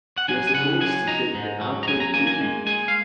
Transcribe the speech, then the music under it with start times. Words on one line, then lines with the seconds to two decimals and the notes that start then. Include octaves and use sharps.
We're supposed to take the Appel Quay!
0.18 F#5
0.28 F#3 G#5
0.47 G#5
0.54 C#3 F#5
0.81 F#3 G#5
1.08 D#4 A#5
1.34 G#2
1.61 F#3
1.83 A#5
1.87 F#3 G#5
2.00 A#5
2.14 A#3 G#5
2.27 G#5
2.41 G#3
2.67 G#3 G#5
2.88 F5